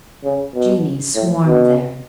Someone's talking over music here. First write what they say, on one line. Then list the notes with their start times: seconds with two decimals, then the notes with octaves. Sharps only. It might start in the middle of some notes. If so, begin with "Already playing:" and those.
Genii swarm there.
0.24 C#3
0.54 B2
1.15 A2
1.46 B2